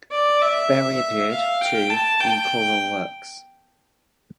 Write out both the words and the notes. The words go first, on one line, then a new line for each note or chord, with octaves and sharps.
Berry appeared, too, in choral works.
D5
E5
F5
G5
A5
G5